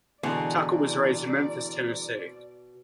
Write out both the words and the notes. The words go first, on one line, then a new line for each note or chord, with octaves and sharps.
Tucker was raised in Memphis, Tennessee.
B2 D3 E3 G#3 E4 D5 A#5 C6